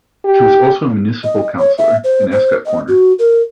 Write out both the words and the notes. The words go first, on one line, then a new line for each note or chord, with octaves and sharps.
She was also a municipal councilor in Ascot Corner.
G4
D#5
C#5
E5
C5
C5
D#5
F#4
A#4